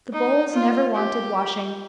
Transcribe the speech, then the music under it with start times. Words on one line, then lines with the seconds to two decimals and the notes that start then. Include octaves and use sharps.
The bowls never wanted washing.
0.13 D#4
0.53 F4
0.94 G4